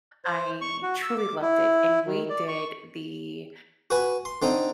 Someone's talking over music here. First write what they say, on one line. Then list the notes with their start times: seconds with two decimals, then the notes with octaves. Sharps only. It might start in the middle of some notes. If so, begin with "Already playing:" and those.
I truly loved it, and we did the,
0.25 C5
0.61 C#6
0.82 F#4
1.02 E6
1.18 D6
1.42 E4
2.06 D#3
2.30 D5
2.48 C#6
3.90 F#4 B4 G#5
4.25 C6
4.42 D3 C4 D#4